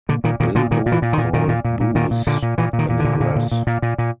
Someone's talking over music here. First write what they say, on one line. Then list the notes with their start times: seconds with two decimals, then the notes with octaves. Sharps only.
Bilbo called Booze, a negress.
0.09 A#2 D3
0.24 A#2 D#3
0.40 A#2 D#3
0.55 A#2 D3
0.71 A#2 D#3
0.86 A#2
0.92 E3
1.02 A#2
1.13 D#3
1.18 A#2
1.33 A#2 D#3
1.48 A#2
1.64 A#2
1.81 A#2
1.95 A#2 D#3
2.11 A#2
2.27 A#2 D3
2.42 A#2
2.58 A#2 E3
2.73 A#2
2.79 D#3
2.89 A#2
2.99 D3
3.05 A#2
3.20 A#2
3.36 A#2
3.51 A#2
3.67 A#2
3.82 A#2
3.98 A#2